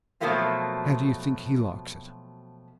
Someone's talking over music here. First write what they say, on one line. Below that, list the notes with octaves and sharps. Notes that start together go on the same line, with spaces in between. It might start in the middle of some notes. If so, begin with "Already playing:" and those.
How do you think he likes it?'
B2 F3 F#3 A3 A#3 C4